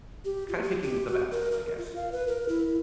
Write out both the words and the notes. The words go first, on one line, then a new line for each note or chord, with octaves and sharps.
kinda picking the battle, I guess.
G4
F4
G4
G4
F#4
A#4
A#4
F4
F5
B4
A#4
E4